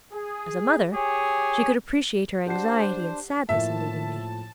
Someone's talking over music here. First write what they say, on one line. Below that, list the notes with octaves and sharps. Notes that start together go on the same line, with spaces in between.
As a mother, she could appreciate her anxiety and sadness in leaving me.
G#4
G4 G#4 C#5 G#5
D4 G4 C5 F#5 C7
A2 F3 A#3 E5 A5